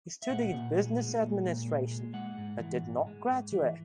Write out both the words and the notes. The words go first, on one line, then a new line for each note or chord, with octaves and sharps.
He studied business administration, but did not graduate.
E5
A#2 F#5
A#2
G#3
G#3
A#2
A#2
G#3
G#3
G#3 F#5
G#2
E3
G#2
G#3
G#2
E3